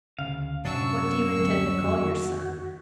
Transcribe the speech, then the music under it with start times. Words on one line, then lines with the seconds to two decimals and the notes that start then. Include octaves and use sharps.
"What do you intend to call your son?"
0.19 D2 C#3 F5
0.65 F#2 A2 C3 F#3 D4 C#6 E6
1.38 D2 F#3 C4
1.81 F2 D#3 F#4